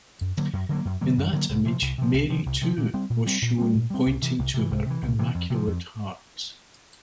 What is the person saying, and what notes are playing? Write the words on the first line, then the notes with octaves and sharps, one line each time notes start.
In that image, Mary too was shown pointing to her "Immaculate Heart".
F#2
D3 F#3 A#3
F#2
D3 F#3 A#3
F#2
D3 F#3 A#3
F#2
D3 F#3 A#3
C2
C3 F3
C2
C3 F3
C2
C3 F3
C2
C3 F3
A#2
G3 C4
A#2
G3 C4
A#2
G3 C4
A#2
G3 C4
C2
C3 E3
C2
C3 E3
C2
C3 E3
C2
C3 E3
F2
C3 F3
F2